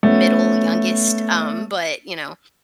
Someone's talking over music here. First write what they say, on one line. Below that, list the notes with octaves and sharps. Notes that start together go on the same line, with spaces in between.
middle youngest, um, but, you know,
A3 B3 C#4